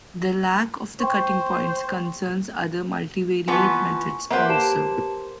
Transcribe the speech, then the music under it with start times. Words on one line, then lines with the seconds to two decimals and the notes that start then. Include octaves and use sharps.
The lack of the cutting points concerns other multivariate methods, also.
1.00 C5 G5 C6 C#6
3.48 E3 F3 B3 G#5 C#6
4.30 A#3 B4 C5 E5 F#5 G6
4.49 G4 A5 E7